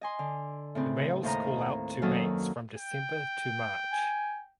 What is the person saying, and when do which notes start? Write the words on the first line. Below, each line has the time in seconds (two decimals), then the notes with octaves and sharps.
The males call out to mates from December to March.
0.01 D#5 G#5 C6
0.19 D3
0.75 A2 C#3 C4
1.23 D#2 A2 C5 D#5 A#5
2.02 F#2 D#3 F#3 A#3 A4 D#6
2.77 G5
3.91 G#5